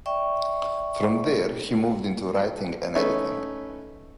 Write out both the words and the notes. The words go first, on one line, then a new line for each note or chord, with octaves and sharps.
From there, he moved into writing and editing.
D5 E5 G5 C#6
A3 C#4 D#4 B4 C#5 E5